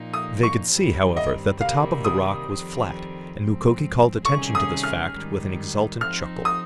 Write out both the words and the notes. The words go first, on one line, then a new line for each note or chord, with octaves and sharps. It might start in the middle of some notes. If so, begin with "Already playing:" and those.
They could see, however, that the top of the, rock was flat, and Mukoki called attention to this fact with an exultant chuckle.
Already playing: A#2 F3 A#3 D#4
D#6
C#6
G2 D#3 G3 C4
D#5
C3 D#3 G3 A#3 F5
D#6
F2 D#3 G3 C4
G#2 F3 C4
C3 D#3 G3 C#4 G#4 C#6
D#6
F6
G#2 D#3 G3
F3 C4 D#4 F6
D#6